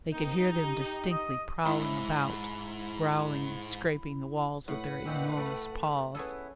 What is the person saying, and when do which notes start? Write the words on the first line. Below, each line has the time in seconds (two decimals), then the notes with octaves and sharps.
They could hear them distinctly prowling about, growling and scraping the walls with their enormous paws.
0.12 D#3 A#3 C4 D#4
0.50 G4
1.11 D#5
1.65 G#2 E4
4.68 A2 B4 F#5
5.06 A#2 D#3 C4
5.37 A3
6.15 B3 C#4 E4 G#4 A4